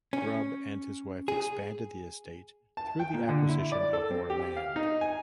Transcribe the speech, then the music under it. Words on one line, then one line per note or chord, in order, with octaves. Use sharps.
Grubbe and his wife expanded the estate through the acquisition of more land.
C#4
G#4
A5
G5
A#2
D3
E4
D5
A4
C4
G4
F5
D#4
G#5